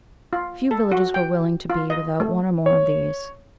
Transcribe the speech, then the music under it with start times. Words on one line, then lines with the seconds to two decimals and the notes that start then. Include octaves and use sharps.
Few villages were willing to be without one or more of these.
0.33 F4
0.71 A4
0.92 F#4
1.14 G5
1.70 F4
1.90 D#5
2.20 A3
2.66 C#5